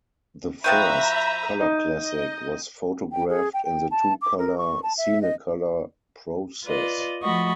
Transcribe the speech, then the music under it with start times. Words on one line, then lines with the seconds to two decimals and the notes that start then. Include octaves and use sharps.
The first "Color Classic" was photographed in the two-color Cinecolor process.
0.64 F3 C4 F#4 E5 A#5 B5 G6 D#7
1.61 D#4
2.00 D#5
3.12 G5
3.29 G#4
3.54 G5
3.65 G5
3.91 A5
4.22 D6
4.39 A#4
4.58 C#6
4.83 A5
4.98 E5
5.22 D#5
6.66 F4 B4 D5 D#5
7.23 F3 A3 F#4 D#5 B5 C#6